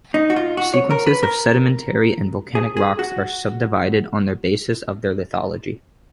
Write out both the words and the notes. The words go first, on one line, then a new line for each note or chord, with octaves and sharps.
Sequences of sedimentary and volcanic rocks are subdivided on the basis of their lithology.
D#4
F#4
F4
F#4
C#5
A#4
B4
A#4
G#4
G#4
F#4